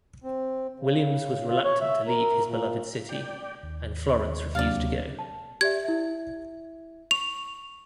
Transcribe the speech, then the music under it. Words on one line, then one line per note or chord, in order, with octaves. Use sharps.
Williams was reluctant to leave his beloved city, and Florence refused to go.
C4
C#3
F4
C#5
E5
A#4
A#2
D5 G5
D#2
D2 C3 F#3 A#3 D4 D5 F5 A6
A5
G4 D5 E5 G#6
E4 E5
C#6 F7